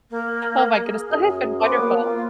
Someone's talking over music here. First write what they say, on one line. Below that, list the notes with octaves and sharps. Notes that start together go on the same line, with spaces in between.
Oh my goodness, but hey its been wonderful.
A#3
G#4
F#2
B3 C#4 C5 D6
A#3
F4